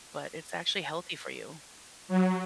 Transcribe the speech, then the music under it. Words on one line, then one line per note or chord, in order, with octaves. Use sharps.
but it's actually healthy for you.
F#3